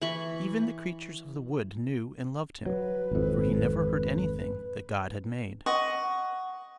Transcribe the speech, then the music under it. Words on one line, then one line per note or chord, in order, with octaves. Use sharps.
Even the creatures of the wood knew and loved him, for he never hurt anything that God had made.
E3 B5 C#6
F#3 B4
G#1 F2
D#5 F#5 C#6